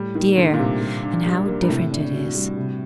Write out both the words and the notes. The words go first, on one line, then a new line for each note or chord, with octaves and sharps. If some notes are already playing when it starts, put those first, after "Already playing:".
Dear! and how different it is!
Already playing: A2 G3
D#3 A#3
D3 D#4
A#2
C3 G3
G3
D4
G3
A#3
G2
A2 C3
D4
F#4
G3
C3